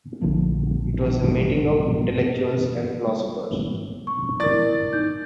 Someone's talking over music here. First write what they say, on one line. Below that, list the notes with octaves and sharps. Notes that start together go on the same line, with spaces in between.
It was a meeting of intellectuals and philosophers.
A#1 D3 F3 A3
C#6
E4 A#4 D5 A6
D#4 G6